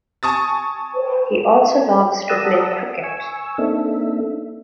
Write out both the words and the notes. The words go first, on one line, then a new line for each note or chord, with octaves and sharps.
He also loves to play cricket.
G#5 A5 C#6 D#6 A6
D5 F#5 A5 A#5 D#6 E6
G#5 C#6 E6
A#3 C4 D4 D#4 A4 E5